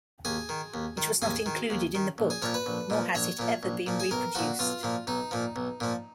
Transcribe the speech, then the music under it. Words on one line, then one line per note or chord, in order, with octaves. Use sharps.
It was not included in the book, nor has it ever been reproduced.
D#2 G#4
D#3
D#2
D#3
D#2 G#4
D#3
D#2
D#3
A#1
G#4
A#2 F3 C#5
B4
A#1
A#2 F3
A#1 C#5
A#2 F3
A#1
A#2 F3
G#4
B1 A#4
A#2 F3 F#4
B1 F4
A#2 F3
B1 D#4
A#2 F3
B1
A#2 F3